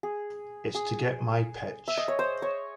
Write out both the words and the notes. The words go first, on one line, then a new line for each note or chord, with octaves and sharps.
It's to get my pitch.
G#4
G#4
E5
D#5
C#5
C5
C#5